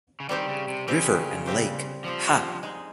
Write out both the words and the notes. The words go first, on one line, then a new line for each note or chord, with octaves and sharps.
River and Lake Ha!
C#3
D#3 G3 C4 G4 C5
C#3
C3
C#3 G3 C4 G4 C5
G3 C4 G4 C5
F3 G3 C4 G4 C5
G#3 D#4 G#4